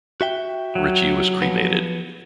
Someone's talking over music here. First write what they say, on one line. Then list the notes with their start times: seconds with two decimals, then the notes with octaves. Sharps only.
Ritchie was cremated.
0.21 F#4 E5 G5
0.75 F#3
1.42 F3 B3